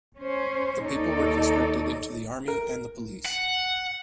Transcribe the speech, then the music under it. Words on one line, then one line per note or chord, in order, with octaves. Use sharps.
The people were conscripted into the army and the police.
C#4 C5
D#2 D#4 A4 C#5 D5
A#4
F#5